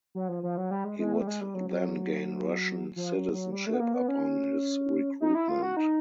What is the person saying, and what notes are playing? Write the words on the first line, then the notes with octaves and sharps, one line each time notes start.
He would then gain Russian citizenship upon his recruitment.
F#3
F3
F3
F#3
G3
G#3
G#3
A3
G3
G#3
G3
F#3
F#3
F3
F#3
F#3
G3
A3
B3
A#3
B3
C#4
D#4
E4
F4
F#4
D#4